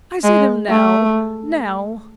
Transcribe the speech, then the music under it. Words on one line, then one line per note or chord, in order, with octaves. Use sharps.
I see them now--now!'
G#3
A3